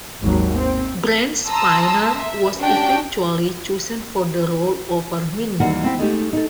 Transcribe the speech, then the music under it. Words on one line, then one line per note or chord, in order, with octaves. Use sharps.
Brent Spiner was eventually chosen for the role over Menyuk.
G#1 D#2 F#3
C4
A5 A#5 C6 D#6 E6
E5
C#4 D4 F#4 G4 G5
D#2 E3 G3 A#3 F#4 F#5
C4 E4 G5
G#3 A3 D#4 G4
D#4 A4